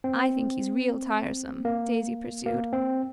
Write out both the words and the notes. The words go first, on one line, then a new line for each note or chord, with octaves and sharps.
"I think he's real tiresome," Daisy pursued.
C4
A#3
A#3
C4